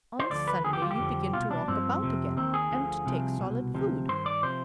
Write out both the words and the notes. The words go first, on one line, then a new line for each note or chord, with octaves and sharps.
On Sunday, you begin to walk about again, and take solid food.
C5
D2 D3 F3 D5
B4
D#2 D3 F3 G#4
G4
F4
G4
F2 D3 F3
C2 B2 F4
D4
G2 F3 C4
F2 C3 F3
D#2 D#3 C4
G#4
D2 D3 F3
C2 C3 F3
C2 B2
D2 C3 F3
G2 D#3 C5
D5
C3 F3 C5